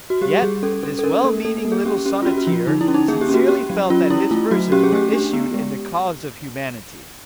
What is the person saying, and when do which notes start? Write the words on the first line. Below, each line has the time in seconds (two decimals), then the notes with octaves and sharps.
Yet this well-meaning little sonneteer sincerely felt that his verses were issued in the cause of humanity.
0.10 F#4
0.21 G3 G4
0.42 G3 G#4
0.63 C#4 A4
0.83 C#4 A4
0.99 A4
1.04 C#4 A#4
1.24 A#3 A4
1.44 A#3 A4
1.58 A4
1.65 A#3
1.72 G#4
1.85 C#4 G4
2.06 C#4 G4
2.22 F4
2.26 C#4 F#4
2.38 F#4
2.47 F3 F4
2.67 D3 D#4
2.81 E4
2.88 C#4
2.94 D#4
3.08 A#3 G#4
3.21 G4
3.29 C#4
3.34 F#4
3.47 C#4 G4
3.70 F#3
3.90 C#4 F4
4.10 C#4 E4
4.31 A3 F4
4.51 F#3 F#4
4.72 C#4 G4
4.83 G#4
4.93 A3 G4
5.13 D4
5.33 B3
5.54 G#3